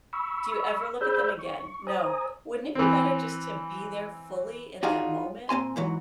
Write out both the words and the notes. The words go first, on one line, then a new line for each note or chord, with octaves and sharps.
Do you ever look at them again, no, wouldn't it be better just to be there fully in that moment?"
B5 C#6 E6
G#4 C5 D5 B5 E6 G6
C#6
C5 G#5 A#5 D#6
E3 C4
D4 D#4 F4 F#4 G#4
A#2 C4 G#5 C6
G#2 E3 F#3